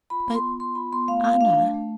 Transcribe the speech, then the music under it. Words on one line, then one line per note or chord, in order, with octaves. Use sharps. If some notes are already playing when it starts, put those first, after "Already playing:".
"But, Anna..."
F4 B5
B3
C6
F4
B3 C6
F4 B5
B3 C6
A3 F5
F4 F5
D4 F5
A3
A3